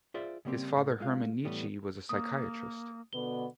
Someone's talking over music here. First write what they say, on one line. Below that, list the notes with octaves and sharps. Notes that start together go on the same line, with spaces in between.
His father Hermann Nitsche was a psychiatrist.
F4 G#4 C5 D5 E5
C#3 G3 A#3 C4 G4
A2
G#3 F4 F5
A2 E3 G3 A3 B3
A#3 D#6
B2 D3 B3 G7